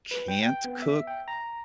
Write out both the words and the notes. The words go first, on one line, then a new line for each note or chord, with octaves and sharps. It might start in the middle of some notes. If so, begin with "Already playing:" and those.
can't cook
B4
G5
G5
B3
E5
G5
A#5